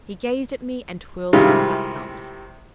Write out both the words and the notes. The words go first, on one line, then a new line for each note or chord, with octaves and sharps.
He gazed at me, and twirled his fat thumbs.
C3 D#3 G3 G#3 E4 F4